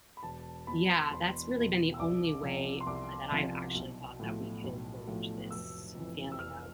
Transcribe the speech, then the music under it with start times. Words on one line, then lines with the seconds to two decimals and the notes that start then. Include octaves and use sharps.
Yeah, that's really been the only way, uh, that I've actually thought that we could bridge this feeling of,
0.17 B5
0.23 E1 A5
0.67 E2 B2 B5
1.11 E1 C6
1.55 E2 B2
1.94 E6
1.99 C2 D6
2.43 C3 F3
2.81 C6
2.86 C2 D6
3.31 C3 F3
3.75 B1
4.20 A2 F3
4.64 B1
5.08 A2 F3
5.51 F1 E6
5.95 F2 E3
6.32 E6
6.39 F1 F6